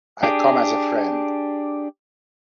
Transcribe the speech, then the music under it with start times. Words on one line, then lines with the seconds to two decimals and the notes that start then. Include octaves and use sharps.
I come as a friend.
0.23 D4 G4 G#4